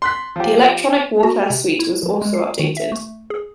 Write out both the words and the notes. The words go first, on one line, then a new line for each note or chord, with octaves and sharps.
The electronic warfare suite was also updated.
C6 F#6 B6
F3 G4
F#4
C3
E4
F3
G#3
C7
D#3
E5
A3
G#4